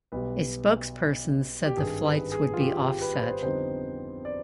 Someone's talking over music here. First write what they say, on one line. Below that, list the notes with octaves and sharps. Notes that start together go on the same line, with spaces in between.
A spokesperson said the flights would be offset.
B1 B2 G3 B4
G4
G#1 G2 D#3 G#4
B4
G#4
F4
G4
G4
B4
B4
C5
F2 D3 G3 B3 D#4 C5
D5